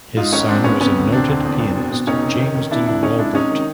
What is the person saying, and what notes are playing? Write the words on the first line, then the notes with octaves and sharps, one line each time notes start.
His son was a noted pianist, James D. Walbert.
G#2 D#4 F4
G#1 C#4 D#4
G#2 C4 D4
G#1 B3 C#4
C3 B3 C#4
D2
E1 C4 D4
D2
E2
F#1
B2
B2
F1 C#4 D#4
C3
D#3
F1
C3 D4 E4
D2 D4 E4
C3 C#4 D#4
G#3 D4 E4
C3 C#4 D#4
D#3